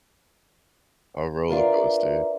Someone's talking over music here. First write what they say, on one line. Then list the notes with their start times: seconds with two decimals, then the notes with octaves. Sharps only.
a roller coaster.
1.50 D4 F4 A#4 B4 E5 A#5